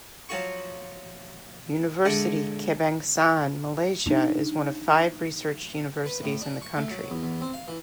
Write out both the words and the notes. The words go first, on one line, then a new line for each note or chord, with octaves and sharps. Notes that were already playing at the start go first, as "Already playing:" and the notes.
Universiti Kebangsaan Malaysia is one of five research universities in the country.
F3 F#3 F4 F#4 C#6
D3 G#3 D4 E4 F#5
D4 D#4
B4
A2
D4
C#6
A3
F#3
E2
E2
C4
F5
E3